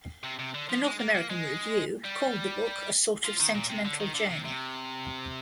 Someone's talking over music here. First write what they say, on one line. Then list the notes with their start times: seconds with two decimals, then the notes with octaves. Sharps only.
The "North American Review" called the book "a sort of sentimental journey".
0.24 C3
0.39 C3
0.54 D3
0.69 F3
0.84 G#3
0.99 A#3
1.15 A#3
1.30 G#3
2.05 G3
3.25 F3
3.40 D#3
3.55 A#2
3.70 C3
3.85 D3
4.00 D#3
4.15 D3
4.30 C3
4.45 C3